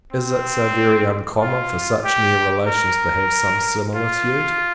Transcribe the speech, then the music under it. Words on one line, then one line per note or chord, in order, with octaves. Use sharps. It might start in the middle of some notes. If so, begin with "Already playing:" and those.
Is it so very uncommon for such near relations to have some similitude?
C4
F4
G4
A#4
F4